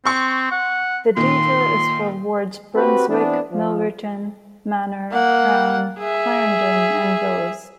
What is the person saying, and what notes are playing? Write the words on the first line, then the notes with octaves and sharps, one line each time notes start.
The data is for wards "Brunswick", "Milverton", "Manor", "Crown", "Clarendon" and "Willes".
C4 C6 C#6
F#5
A#2 D#3 C6
C4 F#4 G4 B4
E3 B3 C4 D4
F3
A#3 F#5
G#4 E5